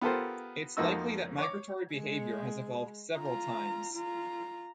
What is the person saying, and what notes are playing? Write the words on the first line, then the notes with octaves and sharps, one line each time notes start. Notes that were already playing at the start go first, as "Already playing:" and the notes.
It is likely that migratory behaviour has evolved several times.
B3 F4 G4 A4 A#4 C5
F2 F3 A#3 D#4 F#4 E6
C#5 D6
G#3
F4 A#5
F4 A#5